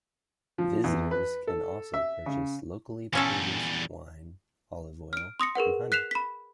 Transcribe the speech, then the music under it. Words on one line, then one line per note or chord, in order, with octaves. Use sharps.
Visitors can also purchase locally produced wine, olive oil and honey.
F3
E2
B4
A4
E5
C#3
E2 A#2 G3 C#4 A4
F6 D7
C6 D#6 A#6 C#7
G#4 A#4 B4 F#5
F#6 B6 C7 E7 F7
B5 B6